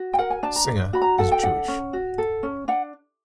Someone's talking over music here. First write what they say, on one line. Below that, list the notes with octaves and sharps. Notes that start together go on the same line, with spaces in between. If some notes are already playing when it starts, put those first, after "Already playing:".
Singer is Jewish.
Already playing: F#4
G5
A#4 F#5
G#5
D4 A5
A#5
D4
F#4 B5
A#5
A4 F#5
G5
D4 F#5
C#4
F#4
A4
C#4
D4 F#5